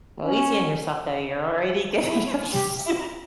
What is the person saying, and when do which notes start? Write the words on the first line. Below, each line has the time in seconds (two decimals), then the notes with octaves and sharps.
Go easy on yourself, though, you're already getting up s
0.25 C#4
2.08 E4
2.54 G4